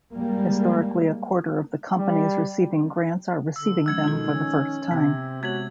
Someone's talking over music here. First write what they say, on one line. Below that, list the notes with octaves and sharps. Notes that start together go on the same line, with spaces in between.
Historically a quarter of the companies receiving grants are receiving them for the first-time.
G3 G#3 A#3
G3
D3 E6
F3 G#3 C#4 E6 G#6
B2 D#3 F4 A4
C#4
C3 B3 C4 G#5
G#3 B3 F#4 C#5 G#6 F#7